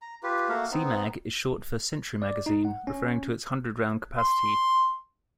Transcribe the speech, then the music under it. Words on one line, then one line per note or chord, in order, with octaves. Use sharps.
"C-Mag" is short for "century magazine", referring to its hundred-round capacity.
A#5
F4 G4 B4
A3 A#3 F#4 F5
B3 C4 D#4
D5
D#4
F#5
C#4
C6